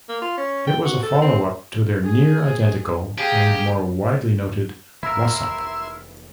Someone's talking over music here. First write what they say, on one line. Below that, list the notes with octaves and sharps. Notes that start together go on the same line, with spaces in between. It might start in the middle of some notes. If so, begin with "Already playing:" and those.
It was a followup to their near-identical and more widely noted Whassup?
A#3
F4
C#4
G5
F#4
A4
C4
G#4
G4 G#4 F5 G5 A#5
F1 E3 A#3 E4 A#4 E5 C6